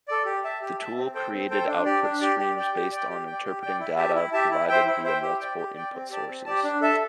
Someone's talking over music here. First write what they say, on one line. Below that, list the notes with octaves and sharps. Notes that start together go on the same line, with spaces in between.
The tool created output streams based on interpreting data provided via multiple input sources.
A4 D5
G4
E5 A5
G4
E5 A5
C4
A4 C5 G5
C4
A4 C5 G5
D4
G4 D5
D4
G4 D5
G4
D5 G5
G4
D5 G5
G4
D5 G5
G4
D5 G5
E4
G4 E5 A5
E4
G4 E5 A5
E4
C5 E5 G5
E4
C5 E5 G5
G4
D5 G5
G4
D5 G5
C4
G4 D5 A5
C4
G4 D5 A5
D4
A4 E5 A5